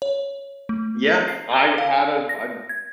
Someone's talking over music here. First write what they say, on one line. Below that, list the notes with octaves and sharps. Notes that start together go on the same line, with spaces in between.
Yeah, I had a I d
C#5
A3
C7
G7
F5
A#6
G#6